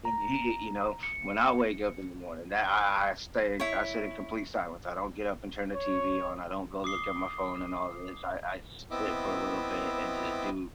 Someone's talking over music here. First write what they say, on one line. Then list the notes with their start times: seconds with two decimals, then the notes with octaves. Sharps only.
Y y you know, when I wake up in the morning that I I stay I sit in complete silence. I don't get up and turn the TV on, I don't go look at my phone and all this. I I sit for a little bit and just do
0.05 A#5
1.03 C#7
3.60 E4 C#5
5.75 C#5
6.84 D6 D#6 C7 G7
8.91 B3 C4 E4 D#5 E5 D6